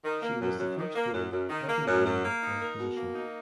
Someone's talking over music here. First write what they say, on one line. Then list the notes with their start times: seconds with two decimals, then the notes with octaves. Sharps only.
She was the first woman ever nominated for the position.
0.04 D#3
0.23 A#3
0.41 F#2
0.58 F#2
0.77 D#3
0.95 A#3
1.14 F#2
1.31 F#2
1.50 D#3
1.68 A#3
1.86 F#2
2.05 F#2
2.23 A#3
2.41 D#4
2.60 A#4
2.78 B2
2.96 A#3
3.14 D#4